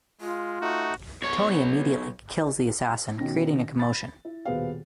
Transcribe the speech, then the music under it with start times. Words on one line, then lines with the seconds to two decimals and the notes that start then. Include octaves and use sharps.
Tony immediately kills the assassin, creating a commotion.
0.21 G#3 F4
0.61 A3 D#4 F#4
1.22 B1 C#5
3.18 B2 D#3 C#4 A#6
3.79 B5 A6
4.25 E4
4.45 D#1 B2 B3 G#4 C5 F5